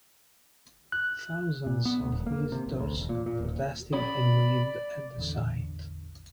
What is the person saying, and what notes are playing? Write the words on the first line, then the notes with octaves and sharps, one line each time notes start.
Thousands of visitors protested and grieved at the site.
F#6
A#2
B3
D2
E1
A#3
C3
A#1
D2
E1
A#2
A#2
D#1
C#3 F#3 D5 B5
A1 E2 D3